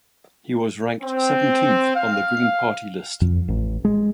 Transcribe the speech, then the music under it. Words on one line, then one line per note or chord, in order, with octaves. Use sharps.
He was ranked seventeenth on the Green Party list.
C4
F5
F2
A1
G#3